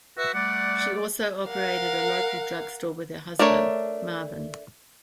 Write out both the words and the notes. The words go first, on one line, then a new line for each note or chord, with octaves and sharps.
She also operated a local drugstore with her husband, Marvin.
F#4 B4 E5
G3 A3 D5 F#5
A#4 F5 F#5
A3 D4 A#4 C#5